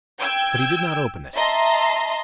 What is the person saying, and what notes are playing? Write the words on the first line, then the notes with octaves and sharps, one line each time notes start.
But he did not open it.
G5 E6 G#6
D#5 E5 A5 A#5 C6